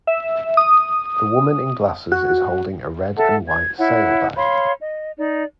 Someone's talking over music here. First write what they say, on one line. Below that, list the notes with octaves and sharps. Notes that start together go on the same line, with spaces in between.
The woman in glasses is holding a red and white sale bag.
E5
D#6
F#4
A4 E5 F#5 A5
G#6
E4 C#5 F#5
C#5 F5 B5 C6
D#5
D#4 D5